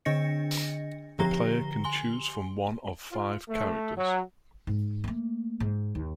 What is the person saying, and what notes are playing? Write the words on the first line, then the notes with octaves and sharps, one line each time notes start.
The player can choose from one of five characters.
D3 D4 D#5 A#6 C#7
D3 F3 G4 A#5 A#6 G7
G#5 C6 G7
F4
A3
F#3
G#2
A3 A#3
G#2
D#2